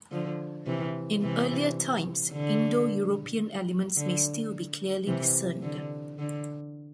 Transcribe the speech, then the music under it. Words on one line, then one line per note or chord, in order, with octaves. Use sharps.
In earlier times, Indo-European elements may still be clearly discerned.
D3 F3
C3 E3
C3 E3
D3
D3
C3 E3
D3
D3